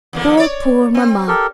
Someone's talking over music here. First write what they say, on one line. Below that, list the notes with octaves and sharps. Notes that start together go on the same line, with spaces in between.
Poor, poor mamma!
E2 D3 A#3
C#5 D5
C4
G4 A4 A#4